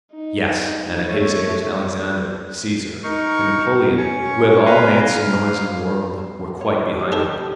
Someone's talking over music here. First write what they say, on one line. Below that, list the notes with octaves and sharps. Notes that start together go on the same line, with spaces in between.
"Yes, and at his age, Alexander, Caesar, and Napoleon, who have all made some noise in the world, were quite behind him."
D#4
D#4
A3 C#5
D#4 A#4 C#6
C#4 C#5
B4 F5 G#5 A#5 C6
F5
C#5
G4 D#5
D#4 G4 A4 A#4